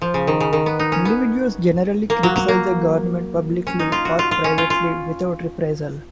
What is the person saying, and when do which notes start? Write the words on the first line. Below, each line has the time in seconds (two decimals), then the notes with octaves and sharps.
Individuals generally criticize the government publicly or privately without reprisal.
0.02 F3
0.14 C#3
0.27 D#3
0.40 C#3
0.53 D#3
0.66 B3
0.79 D#4
0.92 C#4
1.05 B3
2.10 A#3
2.23 F#3
2.36 F#3
2.48 A#3
3.67 C#4
3.79 D#4
3.92 F4
4.05 F#4
4.19 F4
4.31 F4
4.44 C#4
4.58 F4
4.70 F4